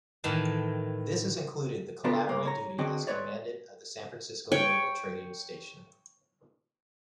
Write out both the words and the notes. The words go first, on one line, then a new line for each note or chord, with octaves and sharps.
This included the collateral duty as commandant of the San Francisco Naval Training Station.
A2 D#3 E3 A5
C#2 B3 D4 F4 A4 A#4
G2 A#3
C#5 A#5
D3 C4 F#4 G#4 D#5 G5
G#3 A3 B4 C#5 D5
C#5 G5